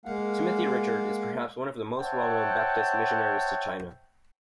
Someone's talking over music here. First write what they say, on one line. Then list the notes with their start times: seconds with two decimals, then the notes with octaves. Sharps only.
Timothy Richard is perhaps one of the most well-known Baptist missionaries to China.
0.05 G#3 A#3 F5 F#5
1.99 C5 C#5 E5 F#5 G5 A5